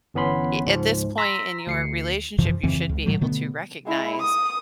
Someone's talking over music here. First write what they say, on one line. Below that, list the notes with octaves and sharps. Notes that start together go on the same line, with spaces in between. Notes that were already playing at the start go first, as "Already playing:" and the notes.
Eh, at this point in your relationship, you should be able to recognize,
G1 E3 B3 C#4 B5 C6
C#2 G#2 F3
A#5 C6 E6 A#6 B6
D2 C7 C#7
F#2 C3 E3 F3
F2 C#3 E3 C4
C#2
A2 D#3 F#3 A3
B2 D3 A3 B3
G#3 E4
D#6